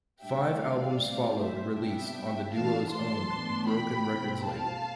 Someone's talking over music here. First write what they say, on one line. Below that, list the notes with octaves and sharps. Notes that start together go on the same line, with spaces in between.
Five albums followed, released on the duo's own Broken Records label.
A2 G3 D4 E5 G5
D5 F5
A2 G3 C4
C5 E5
C3 G3 B3 D4 E5 G5
E3 A3 D4 F5 A5
A5 C6
A2 E3 B3 D4
G5 B5
B2 A3 C4
F5 A5